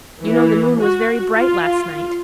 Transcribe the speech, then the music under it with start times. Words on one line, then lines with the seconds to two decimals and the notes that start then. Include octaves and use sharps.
You know the moon was very bright last night.
0.24 E3
0.81 F#4
1.34 F4